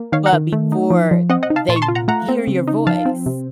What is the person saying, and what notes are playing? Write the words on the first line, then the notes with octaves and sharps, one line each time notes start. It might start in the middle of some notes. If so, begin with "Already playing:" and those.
but before they r hear your voice.
Already playing: A#3
D#3 C#5 F5
F#5 A#5
D#3
A3
D#4
F3
F3
C4 D#5 F#5
D#5 F#5
D#4
F5 A5
A#2 A5 C6
C#6
A5 C6
F4
F#5 A#5
A3 F#5 A#5
C4
C#3
D#4
F3 F5 A5
C4
C3